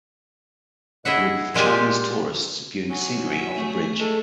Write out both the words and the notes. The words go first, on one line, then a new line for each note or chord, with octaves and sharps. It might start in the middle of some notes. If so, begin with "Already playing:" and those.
A group of Chinese tourists viewing scenery off a bridge.
E4 G#4 D#5 E5 F#5
A#2 G#3 F4 G4 G#5
F#3 G#5
E5
A3
G#3 A4